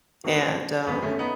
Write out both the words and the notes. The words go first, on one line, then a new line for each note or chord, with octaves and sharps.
and, um,
D#3 A3 D#4 F#4 B4
G#1 F#2 D#3 G#3 B3
A3 C#4
B3 D#4